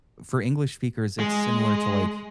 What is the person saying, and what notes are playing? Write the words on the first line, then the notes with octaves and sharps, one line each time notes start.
for English speakers, it's similar to, like,
G#3